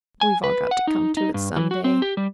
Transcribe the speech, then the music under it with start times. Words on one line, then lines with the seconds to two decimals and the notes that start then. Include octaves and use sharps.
We've all got to come to it some day.
0.21 G#5
0.44 B4
0.71 F#5
0.87 D#4
1.17 D#4
1.34 G2
1.56 E3
1.71 F#4
1.84 C4
2.02 G4
2.17 G3